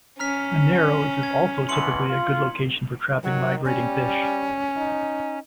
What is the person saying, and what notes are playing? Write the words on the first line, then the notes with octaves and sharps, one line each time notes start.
A narrows is also typically a good location for trapping migrating fish.
C#4 A#5 F6 B6
G#6
E2 B2 E3 C6 C#7 F#7
F4
D#3 F#3
G3 C#4
D#4